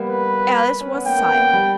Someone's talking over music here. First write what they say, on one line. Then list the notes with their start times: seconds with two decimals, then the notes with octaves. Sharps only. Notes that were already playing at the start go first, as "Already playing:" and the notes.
Alice was silent.
Already playing: G3 A#3 B3
0.09 B4
0.81 C#4
0.93 B3
1.05 A#3 G5
1.17 A#3
1.22 B3
1.38 A#3
1.54 G3